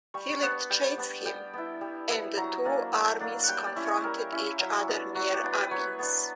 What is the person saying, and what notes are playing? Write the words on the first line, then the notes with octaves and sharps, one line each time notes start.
Philip chased him, and the two armies confronted each other near Amiens.
G3 C#6
B3 D4 F#5
G3 G5
B3 D4
G3 G5
B3 E4
G3
B3 E4
F#3 A#5
A#3 D4
F#3 B5
A#3 D4
G3 F#5 G5
D5
C#4 E4
C#5
G3 A#4
C#4 E4
F#3
B3 D4
F#3 F#4
G4
B3 D4
B4
F#3 C#5
B3 D4